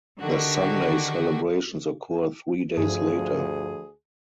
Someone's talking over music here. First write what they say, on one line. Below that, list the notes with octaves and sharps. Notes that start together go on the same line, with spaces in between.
The Sunday celebrations occur three days later.
D3 D#3 F#4 G4
D2 G2 F3 G#4